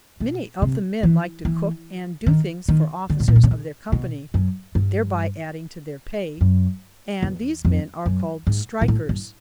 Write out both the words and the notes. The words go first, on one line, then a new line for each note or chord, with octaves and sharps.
Many of the men like to cook, and do things for officers of their company, thereby adding to their pay, and these men are called strikers.
B2
C3
E3
E3
D#3
D#3
D3
A2
A#2
B2
C3
C#3
B2
F#2
G2
F#2
E2
F2
F#2
G#2
A#2
A2
G2